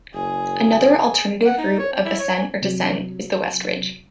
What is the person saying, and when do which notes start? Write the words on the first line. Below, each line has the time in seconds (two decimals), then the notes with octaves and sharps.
Another alternative route of ascent or descent is the West Ridge.
0.14 F#1 G#4
1.46 F#5
1.58 D#4
1.79 C#5
1.93 C4
2.05 E4
2.19 C#5
2.36 G#5
2.62 C3 F#3